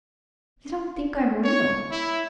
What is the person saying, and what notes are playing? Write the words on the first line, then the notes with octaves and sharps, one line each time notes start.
They don't think I'm real.
C#5
E4